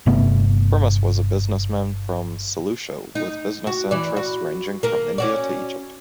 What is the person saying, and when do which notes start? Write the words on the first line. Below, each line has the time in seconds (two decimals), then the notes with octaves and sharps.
Firmus was a businessman from Seleucia, with business interests ranging from India to Egypt.
0.06 G1 C3 A3 B3
3.15 D#4
3.67 F#4
3.91 E3 D5
4.17 F#4
4.83 A#3 A#4
5.18 C#4 F#4 D5